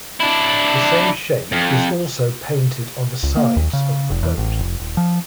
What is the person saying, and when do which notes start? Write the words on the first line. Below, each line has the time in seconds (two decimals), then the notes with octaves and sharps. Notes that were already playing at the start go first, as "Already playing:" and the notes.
The same shape is also painted on the sides of the boat.
0.20 D4 E4
1.52 F2
3.23 C#2
3.37 A#3
3.57 D#2
3.73 C#3
4.10 F1
4.23 E2
4.38 A1
4.59 F1
4.80 D#1
4.97 F3